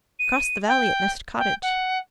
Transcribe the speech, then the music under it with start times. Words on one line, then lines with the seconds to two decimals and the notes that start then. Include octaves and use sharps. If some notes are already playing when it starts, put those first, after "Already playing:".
"Across the valley at Nest Cottage!"
0.19 D#7
0.68 G5
1.39 G5
1.62 F#5